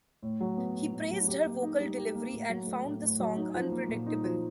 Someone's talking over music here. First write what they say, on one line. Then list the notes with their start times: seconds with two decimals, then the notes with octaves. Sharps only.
He praised her vocal delivery and found the song unpredictable.
0.23 A2
0.40 F#3
0.57 B3
0.75 A2
0.93 A2
1.11 F#3
1.28 G4
1.46 A#3
1.63 D#4
1.80 G3
1.97 G4
2.15 A#3
2.32 A2
2.49 F#3
2.67 A3
2.84 A2
3.02 A2
3.20 F#3
3.36 D#4
3.55 F3
3.72 A#3
3.89 A#2
4.07 D#4
4.24 F3